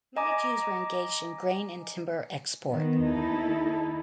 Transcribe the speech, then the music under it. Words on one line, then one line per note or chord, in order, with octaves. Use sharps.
Many Jews were engaged in grain and timber export.
D#5 G#5 A#5 D6
D#3 B3
D#2 D#4 E4 A4